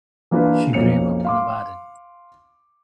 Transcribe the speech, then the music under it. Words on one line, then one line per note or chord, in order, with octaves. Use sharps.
She grew up in Ibadan.
E3 A#3 D4 F4 G#4 B4
B1 F2 A#3 C#4 C#7 F7
F5 C6 D6